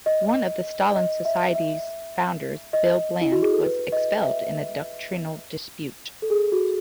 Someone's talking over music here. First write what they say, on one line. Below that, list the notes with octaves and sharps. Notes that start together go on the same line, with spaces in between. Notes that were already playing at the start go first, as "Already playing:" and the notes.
One of the Stalin Society's founders, Bill Bland, was expelled in a doctrinal dispute.
D#5
D#5
E5
E5
D#5
E4
F#4
G#4
A4
B4
D#5
E5
A4
G#4
F#4